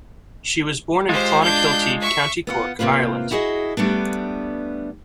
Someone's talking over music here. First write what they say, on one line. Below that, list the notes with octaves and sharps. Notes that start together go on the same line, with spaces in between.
She was born in Clonakilty, County Cork, Ireland.
G#3 F4 G4 C5
D4 G6
E5 C#6
B3 F4 F#5
C3 A#3 C4 F4 B4
E4 F#4 G#4 C5 D#5
G3 A3 B3 D4